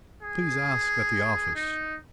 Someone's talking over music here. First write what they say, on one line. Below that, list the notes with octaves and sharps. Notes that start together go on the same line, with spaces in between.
"Please ask at the office."
G#4
D#4